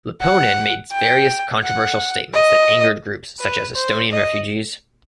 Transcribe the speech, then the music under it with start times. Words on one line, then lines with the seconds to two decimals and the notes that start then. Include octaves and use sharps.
Lipponen made various controversial statements that angered groups such as Estonian refugees.
0.21 F#5
0.91 G5
1.63 F#5
2.33 D#5
3.40 B4
3.75 C5
4.11 D#5